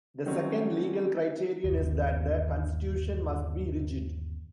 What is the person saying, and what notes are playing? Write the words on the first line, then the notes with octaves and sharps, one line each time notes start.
The second legal criterion is that the constitution must be rigid.
D#3 F#3 G3 C4 C#4
G1 D#2